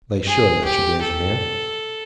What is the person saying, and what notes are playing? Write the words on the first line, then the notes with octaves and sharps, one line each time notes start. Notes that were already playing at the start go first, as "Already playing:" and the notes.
"They should," answered the engineer.
G#4
G4
A4